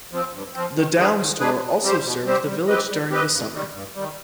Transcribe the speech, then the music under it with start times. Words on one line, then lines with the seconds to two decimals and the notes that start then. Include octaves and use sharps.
The Downs Tour also serves the village during the summer.
0.11 F3 C4
0.33 G2
0.54 F3 C4
0.76 D#3
0.96 G#3 D4 G#4 B4
1.18 D#3
1.39 G#3 D4 G#4 B4
1.61 B2
1.82 G3 C4 G4 C5
2.04 B2
2.25 G3 C4 G4 C5
2.45 G3
2.67 C4 G4 B4 D#5
2.89 G3
3.10 C4 G4 B4 D#5
3.31 G2
3.53 D#3 G3
3.73 G2
3.95 D#3 G3